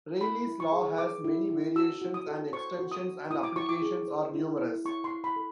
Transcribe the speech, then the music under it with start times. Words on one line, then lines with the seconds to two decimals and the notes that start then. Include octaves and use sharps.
Reilly's law has many variations, and extensions and applications are numerous.
0.21 E4 B5
0.47 E4
0.60 C#6
0.72 G#4
0.98 B4 D6
1.24 E4
1.50 E4
1.76 F#4 E6
2.02 F#4
2.14 D#6
2.27 A4
2.53 C5 C#6
2.79 F#4
2.92 D#6
3.04 F#4
3.31 E4 D#6
3.43 D6
3.56 E4 C#6
3.69 D6
3.82 G#4
4.08 C5
4.34 E4
4.59 E4
4.85 E4 C#6
5.04 C6
5.11 E4
5.24 B5
5.36 A4